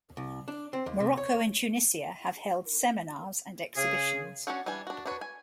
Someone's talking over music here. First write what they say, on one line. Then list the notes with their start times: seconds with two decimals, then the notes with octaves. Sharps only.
Morocco and Tunisia have held seminars and exhibitions.
0.17 C2
0.48 D4
0.73 C4
0.86 D#2
1.00 C3
1.17 C#5
3.77 C#3 G#4
4.47 C#4 D4 F#4 C#5 F#5
4.66 E3 G3 D4 G#5
4.87 D4 F#4
5.06 D4 F#4 B4 C#5
5.21 G#5